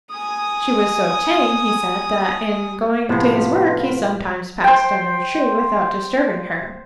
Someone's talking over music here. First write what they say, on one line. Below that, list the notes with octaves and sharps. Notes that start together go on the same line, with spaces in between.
She was so tame, he said, that in going to his work he sometimes passed under the tree without disturbing her.
G#5 D#6
A2 C3 F3 B3 C4 F4 B4
C5 G5